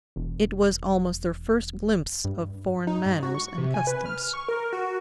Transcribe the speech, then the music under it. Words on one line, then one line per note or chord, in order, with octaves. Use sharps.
It was almost their first glimpse of foreign manners and customs.
E1
G2
D#4
G2
F#4
C#6
C3
G#5
B4
F6
C#6
A#4
F#4